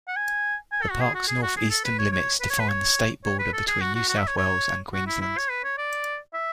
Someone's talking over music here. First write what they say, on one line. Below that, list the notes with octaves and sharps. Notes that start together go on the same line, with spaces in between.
The park's north-eastern limits define the state border between New South Wales and Queensland.
F#5
G#5
G#5
A4
F#4
G#4
F#4
G#4
F#4
G#4
A4
B4
C#5
C#5
B4
C#5
B4
C#5
C#5
B4
A4
G#4
F#4
F#4
F#4
E5
C#5
C#5
F#4
E4
E4
C#5
B4
C#5
D5
E5